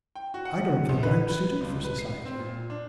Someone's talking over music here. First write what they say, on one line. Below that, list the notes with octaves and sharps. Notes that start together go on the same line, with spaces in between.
'I don't think I'm suited for society.'
G5
F#4
F#5
A#1
B4
B4
C#2
B4
C7
C4
A#2
D4